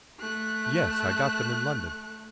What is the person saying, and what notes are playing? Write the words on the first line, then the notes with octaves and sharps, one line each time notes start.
"Yes, I got them in London."
A3 F#6